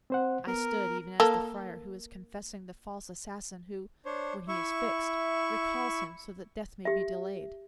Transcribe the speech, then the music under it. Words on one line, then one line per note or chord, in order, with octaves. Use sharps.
I stood even as the friar who is confessing The false assassin, who, when he is fixed, Recalls him, so that death may be delayed.
C4 C5 F#5
B3 A#4
A#3 A4
D4 C5 C#5
E4 E5 C#6
G4 E5